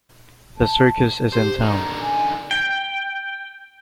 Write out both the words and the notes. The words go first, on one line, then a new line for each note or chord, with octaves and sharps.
The circus is in town!.
A5
G4 C5
D3 D#4 A#5
G#5
G5